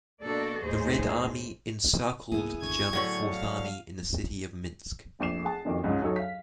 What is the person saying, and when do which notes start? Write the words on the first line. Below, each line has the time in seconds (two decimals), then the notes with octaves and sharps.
The Red Army encircled the German Fourth Army in the city of Minsk.
0.23 B2 A#3 D4 F#4 A4 D5
0.64 D#2 A2 D#3 G#4 C5
2.32 C2 G2 A#3 B3 E4 G#4
2.62 G1 D#2 D3 C#6 G#6
2.93 A2 D3 F#3 C#5
3.33 F5
5.19 F1 A#1 D6 C7 E7
5.44 G#4 F#5 A5
5.65 F#1 F2 D#3 F#4 D6
5.84 C#2 G#2 C#3
6.02 F#3 D#4 A4 C#5
6.16 F5 B6